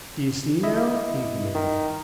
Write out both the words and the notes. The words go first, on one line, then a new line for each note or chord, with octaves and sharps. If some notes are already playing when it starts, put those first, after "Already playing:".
"D'ye see, now!" he demanded.
E4 D#5 E5
D#3